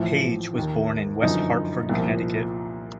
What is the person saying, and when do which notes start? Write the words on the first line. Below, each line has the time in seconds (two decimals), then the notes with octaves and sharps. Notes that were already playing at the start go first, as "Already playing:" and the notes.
Paige was born in West Hartford, Connecticut.
Already playing: A1 A2 F3
0.55 D#2 D#3
1.22 G1 F#2 D3 F3 D#4
1.89 C2 A#2 F3